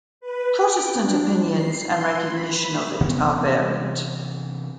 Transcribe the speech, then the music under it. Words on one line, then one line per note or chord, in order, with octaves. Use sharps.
Protestant opinions and recognition of it are varied.
B4
G5
D4
C7
C6
B5
C3 E3 B3 C4